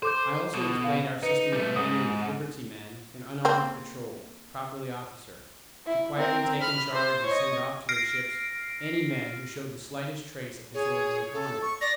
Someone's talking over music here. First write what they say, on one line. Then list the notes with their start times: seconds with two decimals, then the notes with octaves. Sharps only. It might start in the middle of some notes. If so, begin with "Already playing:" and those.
I also explained our system of landing with liberty men an unarmed patrol, properly officered, to quietly take in charge and send off to their ships any men who showed the slightest trace of disorderly conduct.
0.03 A4 C5 D6 G6
0.54 B2
0.84 F5
1.23 D#4 B4 C#7
1.52 G3 A3
1.76 G#2 D#6
3.45 A#3 C4
5.86 E4
6.17 C4 A#4
6.61 B5 F6
6.93 C5 C6
7.26 C#5 D#5
7.89 F6 A#6 C7 D7
10.74 G#4 C#5
11.34 A4
11.62 C#6
11.81 D5 A#6